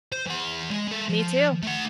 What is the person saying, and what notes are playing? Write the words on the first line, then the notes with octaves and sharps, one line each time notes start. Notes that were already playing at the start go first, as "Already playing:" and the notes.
Me too.
C5
E3 F#5
G#3
G#3 A4
F3
A3 F#5